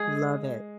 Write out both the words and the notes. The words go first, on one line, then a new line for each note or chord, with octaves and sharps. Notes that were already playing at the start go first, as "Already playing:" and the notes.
Love it.
Already playing: G#3 G#4